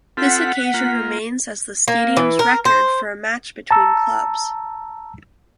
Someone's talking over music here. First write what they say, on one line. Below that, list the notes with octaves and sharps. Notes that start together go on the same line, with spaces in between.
This occasion remains as the stadium's record for a match between clubs.
C4 F4 A4 F#5 B6
A#3 F4
A#3
E3
A#4
C5
A5 A#5 E6